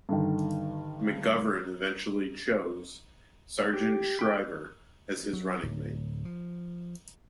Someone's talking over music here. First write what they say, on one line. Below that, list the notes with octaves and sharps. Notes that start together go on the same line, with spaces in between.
McGovern eventually chose Sargent Shriver as his running mate.
G2 D3 D#3
G4
G5 B5
F#3
D1
F3